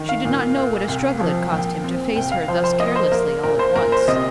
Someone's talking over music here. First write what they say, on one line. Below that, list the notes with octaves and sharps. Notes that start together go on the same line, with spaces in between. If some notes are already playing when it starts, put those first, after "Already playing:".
She did not know what a struggle it cost him to face her thus carelessly all at once.
Already playing: D#3
F5
A#2
A#3
C2
F3
A#2 G5
C4
C2 G5
F5
F3 C5
C5
A#3 D#5
C5
A#3 A#4
A#2 A#4
C5
A#2 A#4
C5
C3 D#5